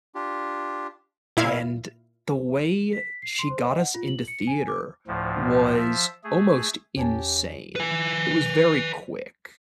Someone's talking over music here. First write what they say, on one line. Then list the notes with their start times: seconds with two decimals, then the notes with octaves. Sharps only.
and the way she got us into theater was almost insane. It was very quick.
0.15 D4 F4 G4
1.37 A#2 E4 F5 G#6
2.93 B6
3.22 C7
3.39 C6
3.50 C5
3.63 D#5
3.77 F#5
3.94 F4
4.07 F#7
4.28 C#7
4.47 G#5
4.68 D6
5.07 D2 A2 F3
5.76 F3 E5
6.24 A3 G#4
6.97 E2 C#4 G4 G#5 A5
7.76 B4 G#5